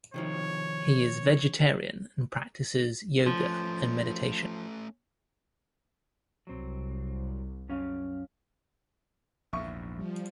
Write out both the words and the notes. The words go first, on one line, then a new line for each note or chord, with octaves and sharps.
He is vegetarian and practices yoga and meditation.
C3 D#3 F3 C#5
F3 A3 C#4
C2 F#3 C4
F#2 C#4 F5
A#1 E2 G#2 E5 C#6
F3 G3